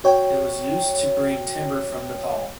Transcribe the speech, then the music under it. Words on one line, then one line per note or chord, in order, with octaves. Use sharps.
It was used to bring timber from Nepal.
F#4 C#5 G5